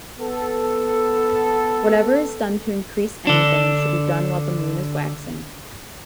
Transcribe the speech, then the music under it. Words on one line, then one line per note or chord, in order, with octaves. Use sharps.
Whatever is done to increase anything should be done while the moon is waxing.
B3 A4
D3 D4